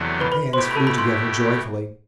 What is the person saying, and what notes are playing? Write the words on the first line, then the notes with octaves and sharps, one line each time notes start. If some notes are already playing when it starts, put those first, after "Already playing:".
Her hands flew together joyfully.
Already playing: E2 C3 F#3 A3 D4
B4 B5
B4 B5
B2 A3 E4 G4 C5 C6
B5
A4 A5
B5
C6